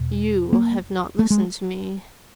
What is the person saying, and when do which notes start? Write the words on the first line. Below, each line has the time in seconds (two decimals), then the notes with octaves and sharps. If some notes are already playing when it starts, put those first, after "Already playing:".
You have not listened to me.
Already playing: E2 B2
0.53 A#3
1.19 A3
1.30 G#3